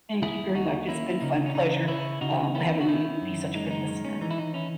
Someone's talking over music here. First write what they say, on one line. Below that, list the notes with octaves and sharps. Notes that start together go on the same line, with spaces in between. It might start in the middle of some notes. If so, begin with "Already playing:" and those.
Thank you very much. It's been fun pleasure, uh, having you be such a good listener.
D#2 E4 G#4
D#2 D#4 F#4
A#3 C#4 E4
C#3 D#4
C#4
C#3 D#4
C#3 C#4 E4
C#3 D#4 F#4
B3 C#4 E4
F#4
D#3 C#4 E4
F#2
G#3 D#4
C#4
D#4
D#3
C#4
E3 D#4
E4
D#4
C#4 E4